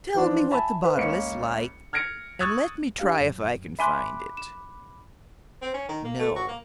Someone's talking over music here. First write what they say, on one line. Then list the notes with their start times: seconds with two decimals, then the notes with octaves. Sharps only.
'Tell me what the bottle is like, and let me try if I can find it.' No!
0.14 E3 F3 C4 D4
0.51 E5 G#5 A5 B5
0.84 B4
0.96 C#2 A#3 C#4 C#7
1.93 F6 G#6 A#6 C#7 D7
2.40 C#6 D#6 E6 F#6 G#6 A6
2.99 D4 G4 F5
3.20 F#2
3.79 E5 G#5 B5 C6 D6 F#6
4.37 E7
5.62 C4
5.74 C#4
5.89 D#3
6.04 A#3
6.19 A3
6.36 F#4
6.48 A#3